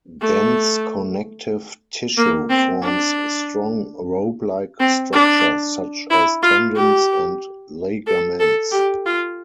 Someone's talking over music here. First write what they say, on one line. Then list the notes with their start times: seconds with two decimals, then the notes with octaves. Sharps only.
Dense connective tissue forms strong, rope-like structures such as tendons and ligaments.
0.21 A3
2.17 A#3
2.50 C4
2.82 D4
4.79 C4
5.12 D4
6.10 E4
6.43 F4
6.76 G4
8.06 A4
8.40 A4
8.72 G4
9.06 F4